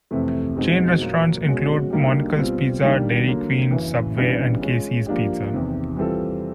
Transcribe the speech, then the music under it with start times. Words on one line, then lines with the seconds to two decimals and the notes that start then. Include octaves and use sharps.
Chain restaurants include Monical's Pizza, Dairy Queen, Subway, and Casey's Pizza.
0.11 F2 C3 E3 A3
0.56 B2 G#3 C4 D#4 F#4
1.01 A#2 F#3 A#3
1.46 B2 G#3 C#4 F#4
1.91 D3 G3 A#3 D#4 G4
2.36 B2 G3 C4 F4
2.82 D#3 G3 A#3 D4
3.26 D3 F#3 A#3
3.71 F#2 C#3 E3
4.16 C#3 E3 G3 B3 D4
4.61 G#3 C#4 F4
5.06 F3 A#3 D4 G4
5.52 E2 C3 D#3
5.97 E3 G3 C4 F4 A4